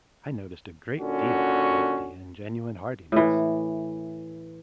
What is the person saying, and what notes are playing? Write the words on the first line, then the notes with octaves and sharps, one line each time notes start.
I noticed a great deal of gaiety and genuine heartiness.
A#2 D3 C#4 F#4
A2 E3